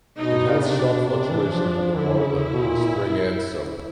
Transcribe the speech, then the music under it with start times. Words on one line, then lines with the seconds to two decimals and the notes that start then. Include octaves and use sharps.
It has sharp fluctuations in the water level in the spring and summer.
0.18 B2 D#4
0.47 C3
0.55 C#3
0.62 C3 D4
0.78 B2
1.07 C3 D4
1.30 E3
1.52 F3
1.75 F3
1.97 D3 E4
2.19 C#3
2.53 B2
2.64 A#2
2.87 A#2